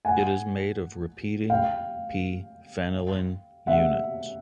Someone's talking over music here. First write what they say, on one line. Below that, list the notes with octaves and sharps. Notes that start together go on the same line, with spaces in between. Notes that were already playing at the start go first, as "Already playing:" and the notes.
It is made of repeating "p"-phenylene units.
F#5 G#5
F5 G5
E5 F#5